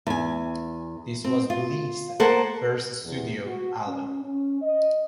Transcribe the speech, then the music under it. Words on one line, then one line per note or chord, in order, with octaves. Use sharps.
This was Bleach's first studio album.
E2 G#5
C4
F4
A#3 A4 C5 F#5
E2
F#4
C#4
C#4
D#5